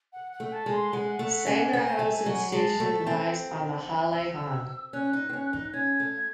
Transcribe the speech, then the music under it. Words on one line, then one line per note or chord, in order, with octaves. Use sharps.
Sangerhausen station lies on the Halle-Hann.
F#5
F#5
A3
A5
G#3
C6
G#3 F#5
A3
C#4
C4 G#5
A3
F#3
G#3 A5
A3
C4
E6
C#4 F#6
D#4
C4
C#4
D#4
C#4 G#6
A3